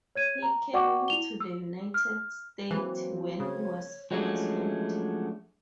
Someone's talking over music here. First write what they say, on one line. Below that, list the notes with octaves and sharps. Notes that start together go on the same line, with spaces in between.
He came to the United States when he was four years old.
C#5 G#6 D#7
A#5
F#4 D5 F#5 G5 C#6 D6
E4 F7 G7
E6
F6
E3 F#3 A#3 C4
C#3 C#5
F3 F#3 G#3 A3 C#4 D4